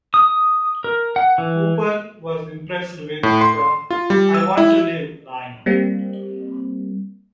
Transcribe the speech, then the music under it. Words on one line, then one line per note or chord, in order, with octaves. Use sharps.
Cooper was impressed with the "I want to live" line.
D#6
A#4
F#5
E3
A2
C6
F4
G3
E6
E4
G3 A#3 C4